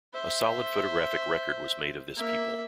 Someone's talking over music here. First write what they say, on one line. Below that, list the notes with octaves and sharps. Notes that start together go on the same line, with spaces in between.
A solid photographic record was made of this people.
C5 E5
A#3 E5